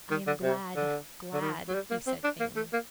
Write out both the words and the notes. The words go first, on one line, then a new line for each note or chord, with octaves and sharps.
'I am glad, glad!' he said faintly.
D#3
D3
C3
D3
D3
D#3
F#3
G3
A#3
C4
D4
A#3
A3
A#3